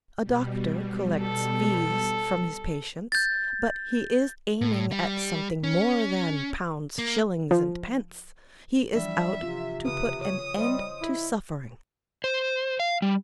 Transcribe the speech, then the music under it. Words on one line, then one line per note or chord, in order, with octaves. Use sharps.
A doctor collects fees from his patients, but he is aiming at something more than pounds, shillings, and pence; he is out to put an end to suffering.
B2 G3
A4
G6 A6
A2
G3
C#4
A#3
F3
E3 F3 G3 D4 E5
C3 C#4 F4
C#3 B4 D#6
C#5 D#6
G3 C5 D#5
E4
C5
F5
G3